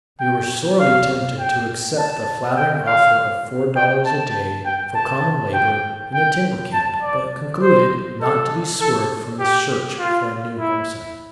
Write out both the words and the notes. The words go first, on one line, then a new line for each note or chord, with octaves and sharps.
We were sorely tempted to accept the flattering offer of four dollars a day for common labor in a timber camp, but concluded not to be swerved from the search for a new homesite.
G5
F5
G5
A5
G5
F5
G5
A5
G5
A5
G5
G5
A5
D5
C5
A4
A4
G4
F4
E4